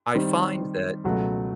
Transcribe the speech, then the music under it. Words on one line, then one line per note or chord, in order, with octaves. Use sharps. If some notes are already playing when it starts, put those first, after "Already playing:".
I find that
D#3 G3 C4
C#2 B2 F#3 A3